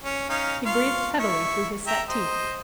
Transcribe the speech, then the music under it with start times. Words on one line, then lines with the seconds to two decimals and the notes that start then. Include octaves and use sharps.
He breathed heavily through his set teeth.
0.04 C#4
0.29 C#4 D#4 F5
0.66 F4 F5 C#6
1.18 E4 C#6
1.87 E5 G5 A#5
2.09 C5 D#5